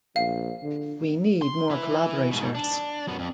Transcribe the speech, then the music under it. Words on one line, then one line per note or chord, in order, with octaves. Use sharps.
We need more collaborators.
A#1 F5
D3
C6
E4 B4
G#2 B2
D4
F#2 B3
F2